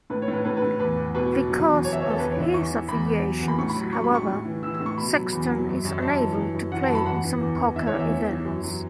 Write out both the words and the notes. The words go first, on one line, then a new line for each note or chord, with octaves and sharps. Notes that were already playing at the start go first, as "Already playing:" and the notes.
Because of his affiliations, however, Sexton is unable to play in some poker events.
A2 B4
C#5
A2
B4
A2 B4
B4
A2
E2 B4
E2
B2 B4
B2
F#3
E2
E2 C#5
E5
E2 C#5
A4
E2 B4
C#5
E3
E5
E2 C#6
E3
E2 B5
E2
F#3
E2
B5
A2 C#6
B5
F#3
F#3 C#6
B5
A2 C#6
A2
E3
E3 E6
E6
A2
C#6
B2 B5
F#3
E2 B5
F#3
F#2
F#2
F#2 A5
E3
E3
F#2
E3 F#5
A5
F#2
B5
E2 F#5
E3
E2
E3
E3 E5
C#5
E2
E5
E3 C#5
E3
F#2
F#3